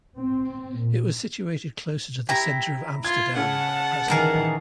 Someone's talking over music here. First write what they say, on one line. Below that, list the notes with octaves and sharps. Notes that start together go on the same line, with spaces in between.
It was situated closer to the centre of Amsterdam than the present one.
C4
A#2
E4 G4 A#5
F4 G#6
C#3 F#5 A5
D#3 E3 G#4 A#4 A#5